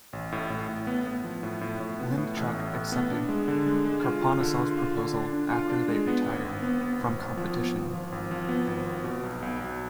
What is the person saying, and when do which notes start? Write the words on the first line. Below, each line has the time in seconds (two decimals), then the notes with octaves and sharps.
Linichuk accepted Karponosov's proposal after they retired from competition.
0.13 A1
0.32 A2
0.50 A2
0.69 A2
0.87 B3
1.07 B3
1.24 F3
1.43 A2
1.61 A2
1.80 A2
1.99 B3
2.17 A2
2.37 A1
2.55 A2
2.73 A2
2.92 B3
3.11 D4
3.29 G#3
3.48 D3
3.67 G#3
3.85 G#3
4.04 F4
4.22 F4
4.40 D3
4.58 F4
4.77 F4
4.97 D3
5.14 D4
5.33 D4
5.52 F4
5.70 D4
5.88 G#3
6.07 B3
6.26 G#1
6.45 G#1
6.63 B3
6.81 B3
7.01 G#1
7.19 G#1
7.37 F3
7.57 B3
7.75 G#1
7.93 F3
8.12 G#1
8.31 F3
8.49 B3
8.67 G#1
8.87 G#1
9.04 B2
9.23 B1
9.42 B1
9.61 B1